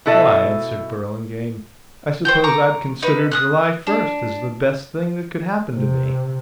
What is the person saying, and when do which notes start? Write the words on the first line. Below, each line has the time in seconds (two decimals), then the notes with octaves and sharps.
"Why," answered Burlingame, "I suppose I'd consider July first as the best thing that could happen to me."
0.06 B2 E4 A4 D#5 E5
2.25 C5 G5 G6
2.44 A#5 C#6 D6
3.03 D#4 B4
3.31 D#6 F6 F#6
3.87 D4
5.76 C3